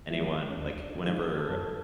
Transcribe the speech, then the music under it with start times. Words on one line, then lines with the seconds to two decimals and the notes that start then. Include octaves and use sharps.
anyone, like whenever, uh,
0.10 F3 G#3 E4
0.49 C#4
0.56 D#2 D4
0.80 D4
1.02 D#3 G#3 F4
1.25 A4
1.48 F#2 A4